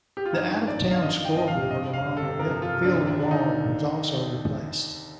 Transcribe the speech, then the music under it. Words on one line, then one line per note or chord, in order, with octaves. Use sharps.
The out-of-town scoreboard along the left field wall was also replaced.
G4
F4
G2 D#4
G2
A1 D5
F3
F5
A1 D#5
F3
G5
G2 D#5
F5
G2
F2 D#5
C3
F5
G1
A4
C3
F3 A#4
F3
F4
C3
D4
C3
D#2 D4
D3
D#4